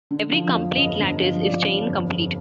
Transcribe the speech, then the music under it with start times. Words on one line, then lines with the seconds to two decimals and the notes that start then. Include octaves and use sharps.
Every complete lattice is chain-complete.
0.11 D3
0.32 F3
0.55 F2
0.76 G1 D#5
0.99 D3
1.21 F3
1.43 C3 D5
1.65 G1
1.87 F2
2.10 G1